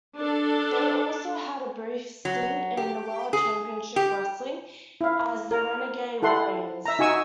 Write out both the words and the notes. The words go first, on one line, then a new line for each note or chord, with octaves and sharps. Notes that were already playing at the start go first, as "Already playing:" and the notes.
They also had a brief stint in World Championship Wrestling as "The Renegade Warriors".
D4 A4
F#3
G4
G#4
G4
E4 F5
A#4
E4 A4 F#5 C6
E5 A#5
D#4 F#4 G#5 C#6 E6